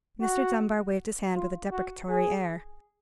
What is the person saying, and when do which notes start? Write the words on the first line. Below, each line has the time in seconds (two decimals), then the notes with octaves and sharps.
Mr. Dunbar waved his hand with a deprecatory air.
0.22 F#4
1.35 F4
1.71 F#4
2.09 G#4